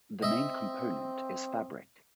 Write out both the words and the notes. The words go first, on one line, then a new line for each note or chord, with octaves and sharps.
The main component is fabric.
C4 D#5 E5